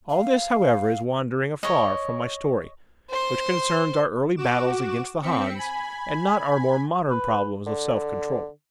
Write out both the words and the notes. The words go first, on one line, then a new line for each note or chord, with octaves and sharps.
All this, however, is wandering afar from my story, which concerns our early battles against the Hans, and not our more modern problems of self-control.
F5
C#5 D#5
C5 C6
F#4 D6 E7
C4 B6 C#7
G#5 B5
B4
D3